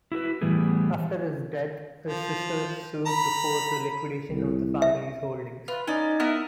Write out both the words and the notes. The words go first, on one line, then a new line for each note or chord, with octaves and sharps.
After his death, his sisters sued to force a liquidation of the family's holdings.
E4 F#4 A#4 B4
A2 E3 G3 B3 G#4
F3
A#5 B5
C2
E5
F4 B4
C#4 D#4 D5
B3 E4 A#4